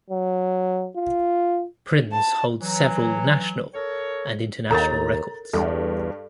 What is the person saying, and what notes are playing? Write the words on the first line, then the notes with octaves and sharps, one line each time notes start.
Prinz holds several national and international records.
F#3
F4
A5
E3 F#3
A4 A#4 C#5
D#2 A4 A#4 C#5 A#5 A6
E2 G2 A4